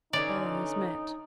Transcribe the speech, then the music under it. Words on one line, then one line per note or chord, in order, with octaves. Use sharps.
Their eyes met.
D3 E3 C#4 D#4 D5